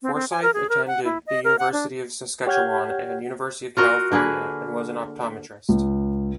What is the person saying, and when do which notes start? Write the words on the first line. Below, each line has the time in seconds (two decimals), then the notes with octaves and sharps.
Forsyth attended the University of Saskatchewan and University of California and was an optometrist.
0.02 C4
0.14 C4
0.30 G#5
0.42 A#4
0.54 G#4
0.69 A#4
0.87 F#5
1.05 E4
1.26 D#5
1.44 A#4
1.59 F#5
1.72 D4
2.47 G4 C#5 F#5 F6 G6 G#6
3.77 F4 F#4 A#4 D#5
4.12 D3 A#3 G#4 B4
5.69 C#2